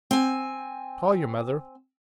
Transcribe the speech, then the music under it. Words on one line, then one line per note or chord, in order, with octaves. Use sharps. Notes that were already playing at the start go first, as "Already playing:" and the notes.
Call your mother.
C4 G#5